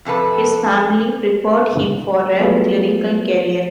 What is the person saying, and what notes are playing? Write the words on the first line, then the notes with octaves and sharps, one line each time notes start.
His family prepared him for a clerical career.
F2 C3 A4 B4
F#3 G3 A3 B3 F4 G#4